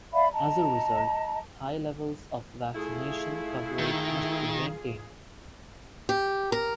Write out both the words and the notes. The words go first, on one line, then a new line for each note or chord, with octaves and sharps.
As a result, high levels of vaccination coverage must be maintained.
D5 E5 F5 B5
D#5 A5 A#5
A3 E4 F4 G#4
D#3
G4
A#4